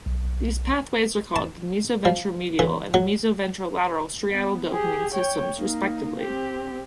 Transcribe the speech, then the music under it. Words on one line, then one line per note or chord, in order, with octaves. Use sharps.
These pathways are called the meso-ventromedial and the meso-ventrolateral striatal dopamine systems, respectively.
B1
A5
F3
E3
F#3
B3
G4 G#4
C#5 G5
A#3 D#4
C4 G4